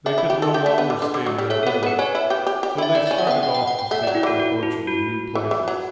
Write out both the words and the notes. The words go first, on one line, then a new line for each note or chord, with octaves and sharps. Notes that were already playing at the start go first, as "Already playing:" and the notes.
They could no longer stay in their village, so they started off to seek their fortune in new places.
D4 E5
E4
G4
A4
G4
A3
B3
D3
D3
D3
F#3
G3
A3 C#5
A4
B3
A4
B3 B4
C#4 C#5
E4
G4
G4
G4
E4 E5
E4 D5
C#4 E5
F#5
B3 G5
F#5
G5
F#5
G5
A3 F#5
F#3 D5
E4
E3 F#4
F#4
E4
F#4
E3
E3
F#3